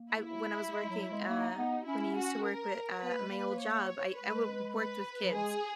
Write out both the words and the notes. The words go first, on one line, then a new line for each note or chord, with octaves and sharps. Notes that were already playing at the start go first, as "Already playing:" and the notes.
I when I was working, uh when I used to work with, uh, my old job, I I wo w worked with kids,
Already playing: A#3
E4
G#3
F#3
G#3
A#3 D#4
B3
C#4 E4
F#4
A#4
B3 B4
A#3
G#3
A#3
C#5
G#3 B4
B4
F#3
G#3 G#4